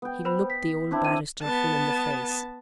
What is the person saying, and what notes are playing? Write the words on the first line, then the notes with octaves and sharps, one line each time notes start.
He looked the old barrister full in the face.
B3 G5
B4 C5 B5
B6
C4 D4 E4
D#7
B3 A5